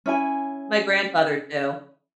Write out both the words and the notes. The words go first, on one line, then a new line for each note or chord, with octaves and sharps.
My grandfather too.
C#4 E4 G#5